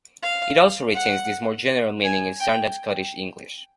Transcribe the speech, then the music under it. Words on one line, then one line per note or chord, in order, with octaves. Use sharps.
It also retains this more general meaning in standard Scottish English.
F5
F#5
G#5
G5